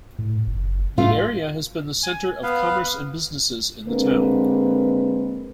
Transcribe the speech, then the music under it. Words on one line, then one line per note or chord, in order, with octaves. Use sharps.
The area has been the center of commerce and businesses in the town.
A2
F#1
A2 A3 F4
G#5
B3 B4 F5
D3 G#3 A#3 C4 B4